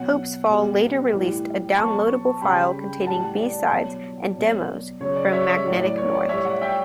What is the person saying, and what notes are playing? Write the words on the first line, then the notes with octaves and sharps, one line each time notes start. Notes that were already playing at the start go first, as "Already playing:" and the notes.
Hopesfall later released a downloadable file containing b-sides and demos from "Magnetic North".
Already playing: B2 F#3 F#5
B2 G3
A2 E3 G3
B2 F#3 A5 C#6
C#3 G3 G5 B5
A2 E3 G3 F#5 A5
D5
B2 F#3
B2 F#3
C#3 F#3 C#5
D5
C#5 E5
C#5 E5
A2 F#3 D5
D5
C#5
D5
A2 G3 C#5 E5
D5 F#5
E5 G5